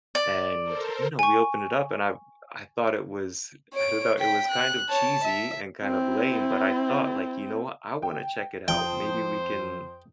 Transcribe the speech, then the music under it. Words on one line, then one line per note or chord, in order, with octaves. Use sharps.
and, you know, we opened it up and I I thought it was I don't know, it was kind of cheesy and kind of lame, but I thought, like, "You know what? I wanna check it out, maybe we can
D5
A4 A#4 C5
G#5 C#6
C#5 D7
G5 B6
F#6
C#5 A5
E5
C4 E4
G5
F2 C5 G5 A5 D#6